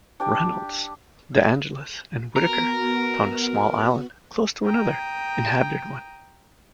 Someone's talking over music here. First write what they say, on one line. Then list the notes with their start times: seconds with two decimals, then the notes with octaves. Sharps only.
Reynolds, De Angelis, and Whittwaker found a small island, close to another, inhabited one.
0.20 D4 G4 D5
2.36 B3 F#4 A#4
4.66 G5 A#5 D#6